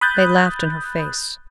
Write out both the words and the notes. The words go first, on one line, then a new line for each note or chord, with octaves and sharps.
They laughed in her face.
B5 D#6 F#6 G6 A6